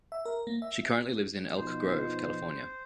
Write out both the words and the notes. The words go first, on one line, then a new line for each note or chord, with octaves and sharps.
She currently lives in Elk Grove, California.
E5
A#4
A#3
E5
B2 F3 D#4 C5